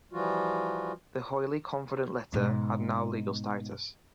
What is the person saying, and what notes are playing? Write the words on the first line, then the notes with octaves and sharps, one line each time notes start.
The highly confident letter had no legal status.
E3 F3 G3 F4 F#4
G#2 B2